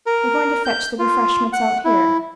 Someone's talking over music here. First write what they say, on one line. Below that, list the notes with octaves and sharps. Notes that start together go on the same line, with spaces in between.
"They're going to fetch the refreshments out here."
A#4
G6
F4
F#5
E4